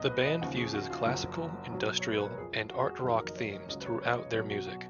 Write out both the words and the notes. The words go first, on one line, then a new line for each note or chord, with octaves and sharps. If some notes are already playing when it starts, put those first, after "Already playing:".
The band fuses classical, industrial, and art-rock themes throughout their music.
Already playing: C#2 B2 F#3 D#5
B4
D#5
D#2 C#3 F3 F#5
G#4
F#4
F4
F#1 F#2 F3 F#4
B1 B2 F#3
C#5
B4
A#4
F2 F3 G#4
F#4
G#4
F#4
F#1 F2 D#3 F#3 G#4
A#4
D#5
C#5
D#5
C#2 C#3 F#3 D#5
B4
C#5
C#5
D#5
B1 B2 F#3 C#5
F#4
F#4